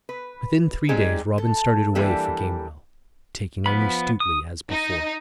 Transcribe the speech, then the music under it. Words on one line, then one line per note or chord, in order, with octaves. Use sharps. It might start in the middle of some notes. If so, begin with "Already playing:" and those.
Within three days Robin started away for Gamewell, taking only Stuteley, as before.
B4
G3 G#3 C4 D#4 G4 G#4
A4
E3 G3 A#3 D4 G4 A4
F3 B3 B5
D#6
D#4